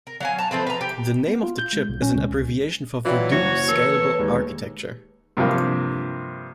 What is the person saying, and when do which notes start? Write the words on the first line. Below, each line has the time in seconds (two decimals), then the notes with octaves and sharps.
The name of the chip is an abbreviation for Voodoo Scalable Architecture.
0.07 A#4
0.20 F#3 F5 G#5
0.39 A5 A#5
0.51 F3 A3 C4 B4
0.67 B4 A#5
0.81 G4
1.28 B3
1.43 F4
1.59 G6
1.73 G#3
1.89 B1
2.02 C#4
2.15 C#2
3.05 E3 F#3 F4 D5 G5
3.32 F#1 E4 F#4 C#5 C#7
3.68 E3 A#3 A4
4.18 D#2 G#3
5.37 G2 C3 F3 A#3